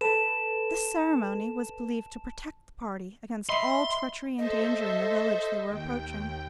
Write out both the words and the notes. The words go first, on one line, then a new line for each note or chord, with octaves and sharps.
This ceremony was believed to protect the party against all treachery and danger in the village they were approaching.
A4 B4 A5 E7
D#5 E5 B5 C6
A4 C5 D#5 E5
D#2 G5